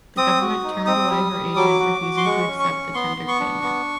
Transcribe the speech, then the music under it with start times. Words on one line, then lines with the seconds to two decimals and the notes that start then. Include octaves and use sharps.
The government turned away her agent, refusing to accept the tendered payment.
0.17 C4 D#6
0.41 F#4
0.63 D#4
0.86 C4 D#6
1.10 G3
1.32 G3
1.56 F#3 D6
1.79 F#4
2.02 F#4
2.17 C6
2.25 G#3 C#6
2.47 C#4
2.60 C#6
2.71 C#4
2.94 B3 C6
3.17 B3
3.28 C#6
3.40 D4
3.63 B3